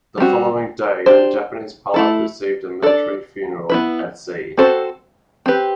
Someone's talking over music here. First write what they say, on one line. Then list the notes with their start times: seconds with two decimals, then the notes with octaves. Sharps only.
The following day, the Japanese pilot received a military funeral at sea.
0.18 G3 C4 F#4
1.06 D4 G4 C5
1.94 A3 E4 A4
2.82 D4 A4 D5
3.69 B3 E4 B4
4.57 C4 F#4 A4 C5
5.46 C4 G4 B4